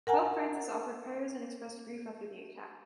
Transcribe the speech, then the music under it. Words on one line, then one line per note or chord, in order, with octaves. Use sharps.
Pope Francis offered prayers and expressed grief after the attack.
A#4 F#5 G#5 A#5